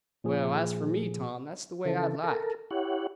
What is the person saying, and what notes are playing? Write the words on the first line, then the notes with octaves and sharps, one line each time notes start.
"Well, as for me, Tom, that's the way I'd like."
A#2 F3 G#4
C#3 E3 A4
A4 A#4
E4 G4 C#5 F#5